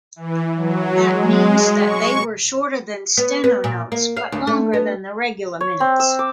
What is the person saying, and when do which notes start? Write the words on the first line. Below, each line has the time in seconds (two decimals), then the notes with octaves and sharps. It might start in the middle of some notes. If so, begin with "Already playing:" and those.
That means that they were shorter than steno-notes but longer than the regular minutes.
0.16 E3
0.56 F#3
1.03 G#3
1.77 C#6
3.17 B3
3.44 B3
3.64 A#2
3.92 A#3
4.17 F5
4.32 D2
4.47 A3
4.73 B3
5.61 C#5
5.80 C4
6.00 E6
6.19 D6